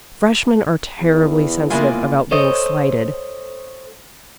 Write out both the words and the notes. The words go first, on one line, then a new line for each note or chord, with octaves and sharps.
"Freshmen are terribly sensitive about being slighted."
E2
C#3 G#3 A#3 B3 E4 F4 G#4 D5
A4 C5 C#5 D#5